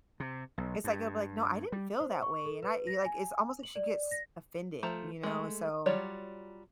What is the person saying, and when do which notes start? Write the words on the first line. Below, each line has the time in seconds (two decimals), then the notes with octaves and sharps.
it's like, it'll be like, "No I didn't feel that way," and I y like it's almost like she gets offended, you know, and so
0.20 C3
0.58 B1
0.84 G2
1.72 G3
2.00 C5
2.22 C#6
2.45 A4
2.63 B4
2.87 A#6
3.05 G#5
3.63 F#7
3.75 D5
4.11 A#6
4.83 F3 A3 A5 A#5
5.23 G#3 A3
5.86 F#3 G3 F4 C#5 D5